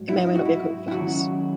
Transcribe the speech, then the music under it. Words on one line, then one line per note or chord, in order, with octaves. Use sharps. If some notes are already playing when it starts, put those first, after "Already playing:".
It may or may not be equipped with flaps.
Already playing: G#2 F#3
E4
D#4
E4
F#4
E4
E4
D#2 C#3 F#3 F#4